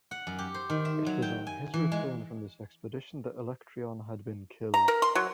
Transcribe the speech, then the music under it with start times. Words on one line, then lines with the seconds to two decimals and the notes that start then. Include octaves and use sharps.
It was on his return from this expedition that Electryon had been killed.
0.11 F#5
0.27 F#2
0.39 G4
0.54 C5
0.70 D#3
0.85 E5
1.06 F#3
1.22 G5
1.47 G#5
1.74 E3
1.92 G#3
4.74 A#5
4.88 A#4
5.02 C6
5.15 F#3